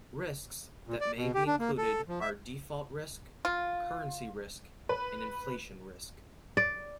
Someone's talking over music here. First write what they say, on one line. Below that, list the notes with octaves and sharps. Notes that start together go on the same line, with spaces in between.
Risks that may be included are default risk, currency risk, and inflation risk.
A#2
D5
B2
G4
D4
A#3
A4
F3
E5
F4
B4
D5